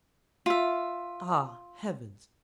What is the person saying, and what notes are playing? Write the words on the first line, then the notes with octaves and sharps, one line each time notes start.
'Ah, heavens!
F4 E5